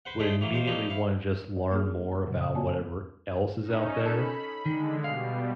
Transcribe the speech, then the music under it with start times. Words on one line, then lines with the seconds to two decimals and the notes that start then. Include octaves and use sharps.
would immediately wanna just learn more about whatever else is out there.
0.05 B4 C5 F#5
0.20 G#3 A3 D4 G4 C5 E5
0.41 E3 F#3 A#3
0.53 D#2 C5 F5
0.67 F3 G3 A#3 C4 C#4 D#4
0.89 E4 F5 C#6
1.57 D5
1.72 A#3 D4 G#4 F6
2.25 F#2 A#2 C#3 F#3
2.38 C#3 F5 D#6
2.55 A#3 F#4 C#5 D5 G#5 A5
3.62 C#4 D#4
4.06 A4 B5
4.66 D3 D#3 G#3
5.04 B2 G3 F5